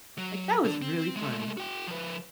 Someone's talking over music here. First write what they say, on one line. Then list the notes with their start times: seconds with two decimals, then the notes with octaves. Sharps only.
"Like, that was really fun!"
0.18 F#3
0.65 D3 D4
0.82 C4
1.17 G#3 A3
1.57 F#4 G5
1.87 F3 B4